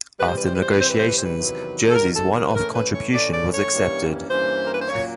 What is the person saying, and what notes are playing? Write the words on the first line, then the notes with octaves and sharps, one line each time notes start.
After negotiations, Jersey's one-off contribution was accepted.
C3 E3 G3 C4 B4
C5
B4
C5
B4
C5
B4
C3 E3 G3 C4 C5
B4
C5
B4
C5
B4
E2 C3 D#3 F#3
A4
E2 C3 D#3 F#3 A#4
A4
A#4
B4
A2 E3 A3 C#4 A#4
B4
C#5
A2 E3 A3 C#4 D5
D5
C#5
G2 E3 G3 A#3 C#4
G2 E3 G3 A#3 C#4 C5
A#4
B4
C5
A#2 F#3 A#3 C#4 C#5